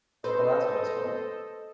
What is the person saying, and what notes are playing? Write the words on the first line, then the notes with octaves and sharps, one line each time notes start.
Well, that's always fun.
A4 B4 C5 D#5